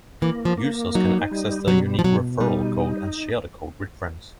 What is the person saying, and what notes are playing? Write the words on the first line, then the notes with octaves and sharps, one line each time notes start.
Users can access their unique referral code and share the code with friends.
E3 A#3
F3
A#3
F#3 D#4
G3
B2 F#3
F3
B2 F#3
G3 D#4